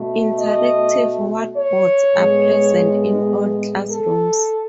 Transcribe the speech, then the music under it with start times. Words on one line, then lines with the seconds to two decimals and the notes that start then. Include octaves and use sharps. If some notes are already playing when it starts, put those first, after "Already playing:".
Interactive whiteboards are present in all classrooms.
Already playing: B2 A3
0.40 D#5
1.56 C#5
2.15 A2 G#3 B3
3.90 A4